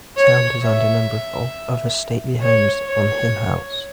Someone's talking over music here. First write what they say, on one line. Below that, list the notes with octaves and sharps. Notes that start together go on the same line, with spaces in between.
Town designed a number of other stately homes on Hillhouse.
C#5
E5
C#5
C#5